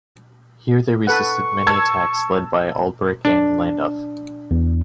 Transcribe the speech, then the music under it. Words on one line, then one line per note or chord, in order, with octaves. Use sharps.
Here they resisted many attacks led by Alberic and Landulf.
A4 B4 F#5 C#6
A5 E6 G#6
D4
E2